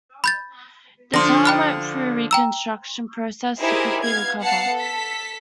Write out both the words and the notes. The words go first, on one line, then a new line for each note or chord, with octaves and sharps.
The town went through a reconstruction process to quickly recover.
B5 G6 A6
D3 F3 D4 C6 A#6
G5 B5 F6
G5 A#5 E6
D#4 E4 G4 G#4 A#4 C5
B3 F5 G#6
B3 F5 F#5 A5 C7 C#7
A4 B6